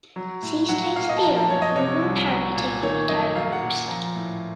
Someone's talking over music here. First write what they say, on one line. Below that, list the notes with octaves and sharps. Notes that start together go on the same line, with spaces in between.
See Stone's theorem on one-parameter unitary groups.
F#3
A2
F#3 F#5
F#5
A#2 F5
D#5
A5
F3 A#5
A5
F#2 C#5
D#5
C3 C#5
C2
F#3
A#2
D#3 C#5
F#2 D#5
F#3 F5
F#5
A#2
F3 A#5
A2